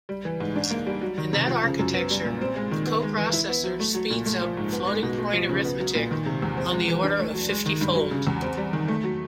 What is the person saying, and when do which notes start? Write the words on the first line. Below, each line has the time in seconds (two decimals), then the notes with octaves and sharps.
In that architecture, the coprocessor speeds up floating-point arithmetic on the order of fiftyfold.
0.09 G3
0.25 E3
0.40 G#2
0.56 D4
0.71 A#3
0.87 G3
1.02 F#3
1.18 D#3
1.33 C3
1.48 F3
1.64 C#3
1.79 F#2
1.94 B3
2.10 G3
2.25 A#2
2.41 C4
2.56 G#3
2.71 D#3
2.87 B3
3.02 G#3
3.18 E3
3.33 E4
3.49 B3
3.64 F#3
3.80 A3
3.95 F#3
4.10 A#2
4.26 A3
4.42 F3
4.57 G#2
4.72 B3
4.87 G#3
5.03 B2
5.18 A3
5.33 F3
5.49 C#3
5.65 B3
5.80 F#3
5.95 A#2
6.11 D#3
6.26 C3
6.42 E2
6.57 C4
6.73 G#3
6.88 E3
7.04 D4
7.20 A3
7.34 F#3
7.49 G#3
7.66 D#3
7.81 G2
7.95 F#3
8.11 C#3
8.27 E2
8.42 C4
8.57 G3
8.73 D#3
8.88 A3
9.04 F#3